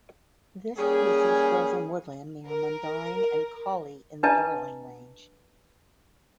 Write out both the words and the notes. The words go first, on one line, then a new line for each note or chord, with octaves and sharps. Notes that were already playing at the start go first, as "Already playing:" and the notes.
This species grows in woodland near Mundaring and Collie in the Darling Range.
G3 A#3 C#4 G#4
A#4
D4 B4 D#5 A5 A#5